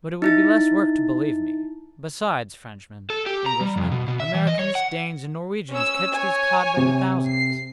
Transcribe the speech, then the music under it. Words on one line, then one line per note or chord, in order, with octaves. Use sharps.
But it would be less work to believe me. Besides, Frenchmen, Englishmen, Americans, Danes, and Norwegians catch these cod by the thousands.
D#4 E4 A6
A4
G4
A#5
G3
F2
B2
B2
E5
E3
D#5
C#5
F#5
C#4 E6
C#5 G#5
C3
C7